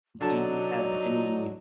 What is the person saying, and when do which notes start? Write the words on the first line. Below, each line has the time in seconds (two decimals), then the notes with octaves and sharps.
Do you have any
0.21 D3 F#3 D#4 D5 A5